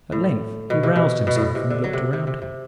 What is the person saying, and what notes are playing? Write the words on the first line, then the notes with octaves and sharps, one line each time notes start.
At length he roused himself and looked around him.
A2
B2
C3
B2
B2
A2
B2
C3
D3
F#3
C3
C3
C3
C3